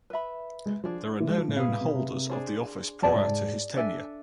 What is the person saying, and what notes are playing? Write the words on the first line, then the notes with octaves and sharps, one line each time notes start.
There are no known holders of the office prior to his tenure.
B4 E5 B5
G#3
F3 D4 G#4 C5
E3
G#3
F3
A2
B2 G#4 B4 F5
A2
B2
C3
C3
D4 G#4 C5
F2 G#4 D5 A5
G#2
G#2
D4 A4 E5 G#5